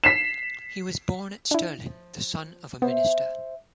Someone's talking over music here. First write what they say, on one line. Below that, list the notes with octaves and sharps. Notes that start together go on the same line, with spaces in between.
He was born at Stirling, the son of a minister.
B6 C7 E7
D4 E4
F3
B3 C5 E5